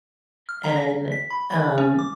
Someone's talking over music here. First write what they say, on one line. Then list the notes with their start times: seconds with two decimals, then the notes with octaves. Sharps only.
and, um,
0.49 F6
0.64 A#5
0.76 A#6
1.12 B6
1.30 B5
1.51 B5
1.78 C#4
1.99 D6